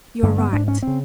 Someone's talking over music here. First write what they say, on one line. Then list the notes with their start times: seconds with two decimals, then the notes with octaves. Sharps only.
You're right!
0.23 G2 D3 A#3
0.38 B3
0.53 G#2 D4
0.68 C#4
0.82 C#3 C4